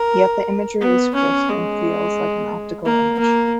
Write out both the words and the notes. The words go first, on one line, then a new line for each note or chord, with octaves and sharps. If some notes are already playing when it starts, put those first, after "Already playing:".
Yet the imagery is crisp and "feels" like an optical image.
Already playing: A#4
B3
C#4
G#3
A#3
A#3